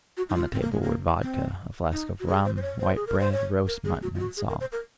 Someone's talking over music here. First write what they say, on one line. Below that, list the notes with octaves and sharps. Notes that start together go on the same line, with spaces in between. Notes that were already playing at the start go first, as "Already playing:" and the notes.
On the table were vodka, a flask of rum, white bread, roast mutton, and salt.
F#4
D#4
F4
C4
A#3
G#3
A#3
C4
D#4
F#4
G#4
C5
C5
C#5
C5
G#4
A#4
C5
C#5
A#4
G#4
F#4
F4
F#4
G#4
A#4
C5
A#4